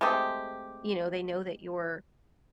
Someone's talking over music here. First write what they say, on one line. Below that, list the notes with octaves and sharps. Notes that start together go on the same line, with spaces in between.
you know, they know that you're,
G#3 A3 C4 G4